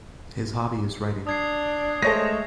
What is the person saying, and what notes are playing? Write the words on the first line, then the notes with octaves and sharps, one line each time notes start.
His hobby is writing.
D4 D#6 G#6 C7
G#3 A3 A4 C5 C#5 A#6